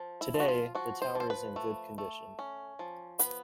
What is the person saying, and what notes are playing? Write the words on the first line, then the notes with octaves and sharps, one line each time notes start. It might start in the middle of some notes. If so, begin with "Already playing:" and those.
Today, the tower is in good condition.
Already playing: F3
E4
F3
F#4
F4
F3 F#4
C5
F3 C5
B4
A3
A3
C#4
F3
B3 B4